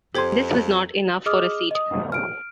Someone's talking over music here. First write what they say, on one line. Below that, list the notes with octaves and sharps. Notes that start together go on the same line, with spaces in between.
This was not enough for a seat.
F2 G4 A4 C5 C6 G#6
G#4 D#5 D6 D#6 F6
D#5 D#6
F6 D7